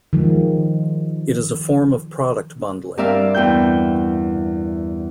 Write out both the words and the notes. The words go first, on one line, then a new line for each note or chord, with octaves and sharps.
It is a form of product bundling.
D#3 F3 G#3
G2 C4 A#4 D5 E5 F5
E2 G5 G6